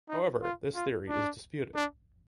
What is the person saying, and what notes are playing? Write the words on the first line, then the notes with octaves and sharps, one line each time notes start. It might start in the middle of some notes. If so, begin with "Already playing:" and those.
However this theory is disputed.
D#4
F4
F4
D4
D4